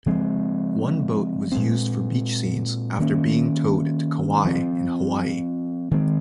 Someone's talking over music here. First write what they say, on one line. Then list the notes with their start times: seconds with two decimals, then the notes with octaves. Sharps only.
One boat was used for beach scenes after being towed to Kauai in Hawaii.
0.06 C#3 F3 G#3 C4
1.52 A#2 G#3 C4
2.99 D#3 A#3 C#4
4.45 F3 C4
5.91 D#3 G#3 C4